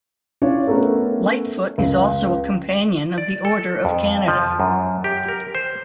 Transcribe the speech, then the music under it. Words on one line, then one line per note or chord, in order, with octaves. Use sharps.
Lightfoot is also a Companion of the Order of Canada.
C#4 D4 E4 F4 C#5
A3 B3 C#4 A4 A#4
C#2
D5
A4
F2
F3
F#2
G4
A#4
C5